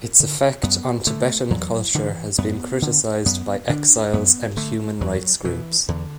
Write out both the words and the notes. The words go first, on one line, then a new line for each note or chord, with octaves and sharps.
Its effect on Tibetan culture has been criticized by exiles and human rights groups.
D3
F#2 B3
D3 A3
E2 F#3
D3 E3
F#2 B3
D3
F#2 B3
D3 D4
F#2 B3
D3 A3
E2 F#3
B2 E3
E2 D3